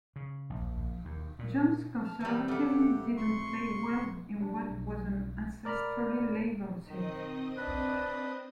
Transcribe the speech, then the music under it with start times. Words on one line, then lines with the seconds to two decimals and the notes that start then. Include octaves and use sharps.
Jones' conservatism didn't play well in what was an ancestrally Labor seat.
0.16 C#3
0.50 A#1
1.05 D#2
1.39 A#2
2.04 A5 F6
2.20 E3 G3 A#4
2.48 F2 A3 G4 F#5
3.17 C6 C#6
4.40 G3 D4
4.71 B1
5.65 A#4 D5 A#5 B5 F6
6.88 D#3 C4 D#5 D#6
7.57 D4 B4